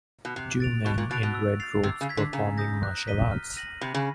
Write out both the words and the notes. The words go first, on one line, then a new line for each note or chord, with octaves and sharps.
Two men in red robes performing martial arts.
B2
C3 F#6
A6 D7 F7
B2 C#6
A#2
B2 F#6 A6 D7 F7
B2
E6
A6 C7 F7
C3 E6
C#3
G#6 B6
D3
C#3 A#5
D#6 G6 A#6
F#6
B6 D#7 G7
F6
A#6 D#7 F#7
C3 B5
C#3